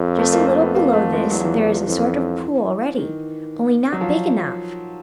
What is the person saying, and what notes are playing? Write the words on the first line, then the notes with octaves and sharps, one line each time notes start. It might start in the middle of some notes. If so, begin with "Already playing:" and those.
"Just a little below this there is a sort of pool already, only not big enough."
Already playing: F2
A3
A#3
A#3
B3
A#3
A3
G#3
E2 F#3
F3
E3
E3
F3
F2 E3
D#3
F#3
F3